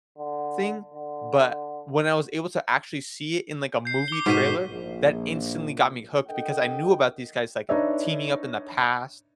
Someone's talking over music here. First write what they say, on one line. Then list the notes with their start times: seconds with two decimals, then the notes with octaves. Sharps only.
thing, but when I was able to actually see it in, like, a movie trailer, that instantly got me hooked because I knew about these guys, like, teaming up in the past,
0.18 D3
0.94 D3
3.85 G6 C7
4.08 D6 G7
4.26 G#2 B2 C#6 B6 D#7
4.70 A#1
6.27 D4 A4 A#4 D#5 F#5 G5
7.69 D4 D#4 B4 C#5 D5 E5